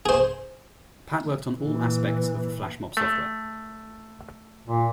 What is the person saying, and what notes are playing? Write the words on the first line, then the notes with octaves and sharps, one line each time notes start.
Pat worked on all aspects of the FlashMob software.
G#4 C5
A#2 E3
A3
A#2